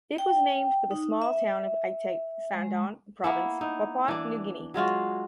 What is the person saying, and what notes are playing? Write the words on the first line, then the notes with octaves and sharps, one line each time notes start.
It was named for the small town of Aitape, Sandaun Province, Papua New Guinea.
G5
D#4
E5
G#3
A#3 B3 E4
D#4 E4
E3 D4
F#3 G#3 F4 F#4